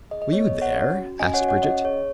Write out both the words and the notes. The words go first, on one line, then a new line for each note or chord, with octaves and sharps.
"Were you there?" asked Brigitte.
G#4 D#5
D#5
B3 C#5
D#5
G#4
C#5 F#5
C#4
F#4
C#4 D#5 G#5
C#5 F#5
F#4
C#5 F#5
C#4 D#5
G#4 C#5